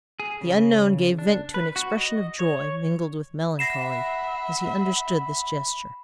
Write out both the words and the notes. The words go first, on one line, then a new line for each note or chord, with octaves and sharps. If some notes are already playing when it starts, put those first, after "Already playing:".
The unknown gave vent to an expression of joy, mingled with melancholy, as he understood this gesture.
G#4
C#3
D4
B4
F#4
D#5
C#5
E5 F#5 B5 A#6 C7 E7